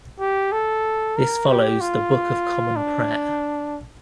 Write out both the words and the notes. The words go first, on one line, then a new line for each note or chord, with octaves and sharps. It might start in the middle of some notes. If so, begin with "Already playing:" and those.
This follows the "Book of Common Prayer".
G4
A4
A#4
G4
F4
D4